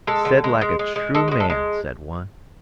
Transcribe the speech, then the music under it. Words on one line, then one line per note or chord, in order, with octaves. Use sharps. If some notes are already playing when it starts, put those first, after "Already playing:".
"Said like a true man," said one.
G#3 A4
D3
G#3
G#3
G#3
G#3
G#3 A4
F#4
G#3
A4
G#3